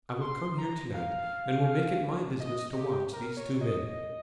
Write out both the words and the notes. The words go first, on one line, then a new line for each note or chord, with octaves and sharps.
I will come here to-night and will make it my business to watch these two men.
C6
A#5
F5
D#5
G4
A#4
C#5
D#5